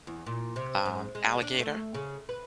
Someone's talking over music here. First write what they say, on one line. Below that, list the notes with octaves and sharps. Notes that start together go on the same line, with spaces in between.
um, alligator,
E2
A#2
C3
G#2
G#3
D4
A3
C#3
B4